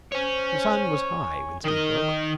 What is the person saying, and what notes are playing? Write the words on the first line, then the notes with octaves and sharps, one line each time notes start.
The sun was high when Steve woke.
C5 C#5 G#5
D#3 A#4 D#5